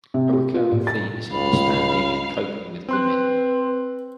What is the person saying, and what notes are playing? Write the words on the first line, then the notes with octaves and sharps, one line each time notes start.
A recurring theme is understanding and coping with women.
C3
G4
F4
A#2
A6
C#2 F5 B5
C4 B4 C6 F#6